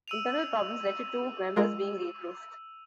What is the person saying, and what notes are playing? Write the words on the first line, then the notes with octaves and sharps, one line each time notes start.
Internal problems led to two members being replaced.
E6 D#7 F7
G#3 F4 A#4